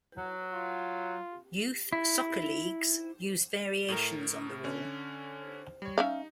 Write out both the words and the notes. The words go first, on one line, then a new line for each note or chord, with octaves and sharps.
Youth soccer leagues use variations on the rule.
F#3
F4
E4
A2 A3 A#4
D3 C#4
G3 C#5
C#4 D#4 E5 F5